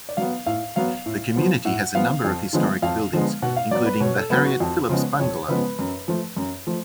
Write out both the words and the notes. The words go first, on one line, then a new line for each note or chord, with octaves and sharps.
The community has a number of historic buildings, including the Harriet Phillips Bungalow.
D5
F#3 B3 F5
A2 F5
F#3 B3 F5
A2
F3 B3
A2 F#5
F3 B3 F5
F2
D3 F3 G#3 B3
F2 F5
D3 F3 G#3 B3
B2 F#5
F5
F#3 B3 D5
B4
B2 C#5
A4
F#3 B3 B4
F#4
F2
C#3 F3 G#3 B3
F2 C#5
C#3 F3 G#3 B3 B4
F#2
F3 A3
F#2
F3 A3